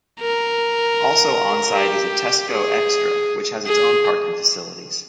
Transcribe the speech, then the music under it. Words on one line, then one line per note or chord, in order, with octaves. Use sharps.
Also onsite is a Tesco Extra which has its own parking facilities.
A#4
G4
G#4
G#4